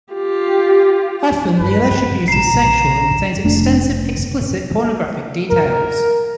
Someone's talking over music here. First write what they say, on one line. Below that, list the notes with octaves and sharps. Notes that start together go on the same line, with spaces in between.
Often, the alleged abuse is sexual and contains extensive, explicit, pornographic details.
F4 G4
G2 F#3 B4
A#1 D3 A#5 C7 E7
F1 A3 D4
A#4